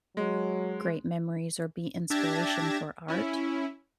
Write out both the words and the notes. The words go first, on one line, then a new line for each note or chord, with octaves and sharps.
great memories or be inspiration for art.
F#3 G#3
D4 G4 E5 A5 G#6 A#6
C#4 E4